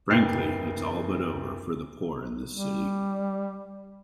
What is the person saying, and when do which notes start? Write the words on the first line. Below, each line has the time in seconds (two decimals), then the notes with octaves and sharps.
Frankly, it's all but over for the poor in this city.
0.11 F#1 B3 D#4 G5 A6 C7
2.51 G3